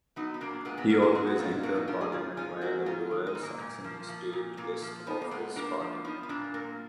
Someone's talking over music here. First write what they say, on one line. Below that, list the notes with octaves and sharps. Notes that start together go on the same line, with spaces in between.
He always entered parliament via the Lower Saxony state list of his party.
F#3 B3 D#4
B3
A#2 A#3 D4
A#2 G#3 B3
G#3 B3
F#3 A#3
G#3 B3
F#3 G#4
F#4
A#2 F4
D#4
F#3 A#3 D4
B3 D#4
G#2 D4 F4
F4 G#4
D#3 F4 G#4
G#2 F4 G#4
F#3 F#4 A#4
G#2 F4 G#4
D#3
G#3
G#2
A#3
A#2
F3
F3
A#2
A#2 A#3
F3
F3 B3 D#4
A#3
A#2 G#3 B3
A#2 A#3 D4
F3
F3 B3 D#4
B3
A#2 A#3 D4
A#2 A#3